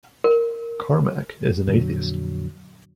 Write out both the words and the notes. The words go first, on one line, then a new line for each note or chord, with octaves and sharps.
Carmack is an atheist.
A#4
F2 A#2 D3 F#3